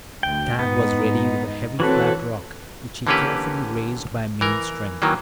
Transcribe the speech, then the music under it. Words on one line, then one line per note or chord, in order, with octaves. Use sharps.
Tad was ready with a heavy, flat rock which he carefully raised by main strength.
D2 G5
G#2 B3 D#4
E3 C4 F#4 A4 B4 C#5
D3 E3 A#3 C#4 G4 B4
E3 A#4
D#3 E3 F#3 A#3